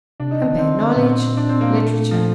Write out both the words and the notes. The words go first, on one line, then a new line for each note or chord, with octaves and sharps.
Compare KNOWLEDGE; LITERATURE.
C3 D4
D#4
D#3 D4
C4
D3
A#2 C4
D4
C4
A#3
A3
F3